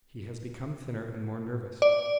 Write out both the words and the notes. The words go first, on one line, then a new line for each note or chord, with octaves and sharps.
He has become thinner and more nervous.
D5